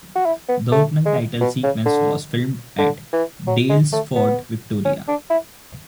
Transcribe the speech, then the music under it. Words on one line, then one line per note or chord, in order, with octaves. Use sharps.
The opening title sequence was filmed at Daylesford, Victoria.
F#4
E4
B3
A3
G#3
B2
C#3
D3
D3
E3
F#3
G#3
A3
B3
C#4
D4
E4